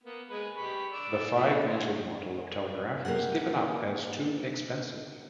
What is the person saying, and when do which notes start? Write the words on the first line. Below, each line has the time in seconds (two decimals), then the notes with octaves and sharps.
A five needle model of telegraph was given up as too expensive.
0.04 A#3 B3
0.30 G#3 G#4 B4
0.56 G4 B5 C#6
0.92 D5 E6
1.34 F3 A3 B3
1.66 E4 C5 C#5
3.05 A#3 G4 G#4 F#5